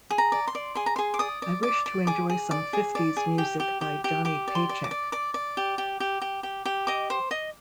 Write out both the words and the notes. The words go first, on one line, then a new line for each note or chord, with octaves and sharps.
I wish to enjoy some fifties music by Johnny Paycheck.
G#4
A#5
D5
C6
D5
G#4 C6
A#5
G#4 C6
D6
D5 D#6
D5
D5 D6
D5
G#4 D6
G#4
D5
G#4
D5
G#4
G4
G4
G4
G4
G4 D6
D5
C6
D5
D6
D5
D5 D6
D5
G4
G4
G4
G4
G4
G4
D#5 D6
C5
D#5